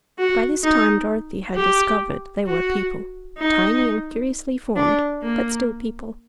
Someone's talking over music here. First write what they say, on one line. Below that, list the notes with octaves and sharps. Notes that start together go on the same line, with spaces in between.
By this time Dorothy had discovered they were people, tiny and curiously formed, but still people.
F#4
D#4
G4
F#4
D#4
D4
A#3